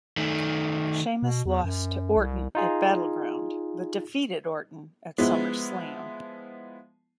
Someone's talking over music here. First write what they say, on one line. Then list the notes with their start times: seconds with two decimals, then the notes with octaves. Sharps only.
Sheamus lost to Orton at Battleground, but defeated Orton at SummerSlam.
0.17 D#3 A3
1.23 B2
1.46 E2
1.64 F#2
2.17 C2
2.55 D#4 F4 G#4
5.18 F3 G#3 B3 E4